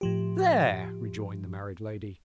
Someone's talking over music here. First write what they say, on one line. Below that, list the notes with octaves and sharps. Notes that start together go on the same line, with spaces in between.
'There!' rejoined the married lady.
A2 F3 G4